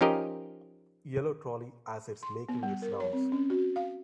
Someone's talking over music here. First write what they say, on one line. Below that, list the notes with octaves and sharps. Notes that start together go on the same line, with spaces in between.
Yellow Trolley as it 's making its rounds.
F3 C#4 D#4 G4 A#4 D#5
C6
B3
G3
A#4
C#5
C4
C#4
F#4
F5